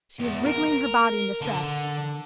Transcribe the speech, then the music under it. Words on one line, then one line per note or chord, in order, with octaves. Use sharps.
She was wriggling her body in distress.
E2
A#4
D3